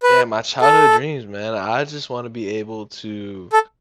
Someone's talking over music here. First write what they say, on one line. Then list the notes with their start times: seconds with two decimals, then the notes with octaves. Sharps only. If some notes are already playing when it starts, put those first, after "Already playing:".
Yeah, my childhood dreams, man, I just want to be able to
0.03 B4
0.61 A4
3.53 A4